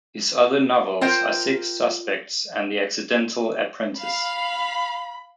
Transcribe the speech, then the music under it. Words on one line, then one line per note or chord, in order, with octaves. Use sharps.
His other novels are "Six Suspects" and "The Accidental Apprentice".
F4 A#4 C5 G5
F5 B5